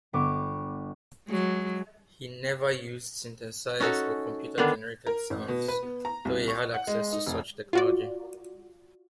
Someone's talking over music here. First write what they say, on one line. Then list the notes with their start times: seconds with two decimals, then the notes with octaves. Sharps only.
He never used synthesized or computer-generated sounds, though he had access to such technology.
0.13 G1 B3 C#6 D6
1.28 F#3 G#3
3.80 C#4 D#4 F#4 A4
4.58 D3 D#3 B3 D4
5.07 A#4
5.30 A1
5.48 B2
5.68 B4
5.83 B3
6.05 A#5
6.25 C2
6.48 C#6
6.74 F#5
6.87 G#3
7.12 D#4
7.26 F1
7.73 F4 F#4 D5